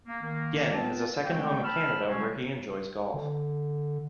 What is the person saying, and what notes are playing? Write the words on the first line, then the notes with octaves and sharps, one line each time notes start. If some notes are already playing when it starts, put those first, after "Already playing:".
Yuen has a second home in Canada where he enjoys golf.
A#3
D#3 A#3
B3 C4 F4 B4 G5 A5
C#3 G#3 A3 C4 G5
G5 A5 B5 E6 F6
B2 D3 G3 G#3 C4 C#4
D3